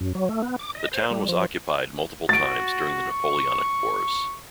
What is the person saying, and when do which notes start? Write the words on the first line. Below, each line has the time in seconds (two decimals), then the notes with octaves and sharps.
The town was occupied multiple times during the Napoleonic Wars.
0.01 F#2
0.15 F#3
0.29 A3
0.42 B3
0.59 D6
0.75 D#5
0.92 C5
1.11 G3
1.29 F3
2.29 F#4 A6 D7
3.11 C#6